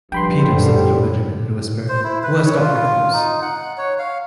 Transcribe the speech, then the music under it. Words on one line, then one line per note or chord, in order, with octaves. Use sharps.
"Peter," — said little Benjamin, in a whisper — "who has got your clothes?"
G2 F3 G5 B5 C6
F#2 A#2 D3 G3 C4
C5
E4
B4
C#5
F4
D#4
F#5
C#5
F5